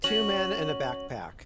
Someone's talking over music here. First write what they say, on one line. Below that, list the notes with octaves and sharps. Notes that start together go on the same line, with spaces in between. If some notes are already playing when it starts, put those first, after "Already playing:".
Two men and a backpack.
C#4 F#4 F#7